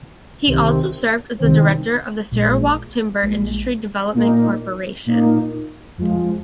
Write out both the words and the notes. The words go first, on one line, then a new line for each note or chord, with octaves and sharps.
He also served as the Director of the Sarawak Timber Industry Development Corporation.
C2 C3 D#3 C4
C2 C3 D#3 C4
A#1 A#2 G#3
A#1 A#2 G#3
A#2 A#3 D#4
A#2 A#3 D#4
F2 F3 G#3